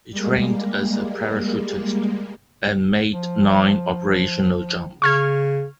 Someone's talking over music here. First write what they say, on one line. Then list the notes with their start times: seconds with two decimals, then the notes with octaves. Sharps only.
He trained as a parachutist, and made nine operational jumps.
0.11 G3 G#3 A#3
3.12 F3
5.02 C#3 C#6 F6 G#6